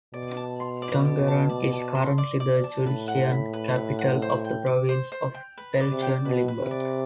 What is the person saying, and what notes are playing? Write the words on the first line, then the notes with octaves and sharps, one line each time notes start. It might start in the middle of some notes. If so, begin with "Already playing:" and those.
Tongeren is currently the judicial capital of the province of Belgian Limburg.
B2 D5
A5
C6
D5
D5
A5
D5
A5
C6
D5
D5
A5
A2 B4
F#5
B5
B4
B4
F#5
C5
G5
D6
C5
C5
G5
B4
D5
C3
G5
B2 B4
B4
C3
D5